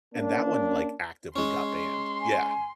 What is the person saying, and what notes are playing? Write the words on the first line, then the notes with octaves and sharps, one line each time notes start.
and that one, like, actively got banned. Yeah.
A#3 C#4 D4
G#3 C#4 C6
G#5